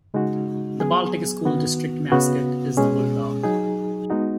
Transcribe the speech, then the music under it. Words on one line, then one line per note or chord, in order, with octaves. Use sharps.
The Baltic School District mascot is the Bulldog.
C#3 G#3 D#4 F#4
F#3 B3 G#4
D#3 B3 F#4
C#3 B3 F#4
B2 G#3 C#4 G#4
F#3 D#4 G#4
G#3 B3 D#4 F#4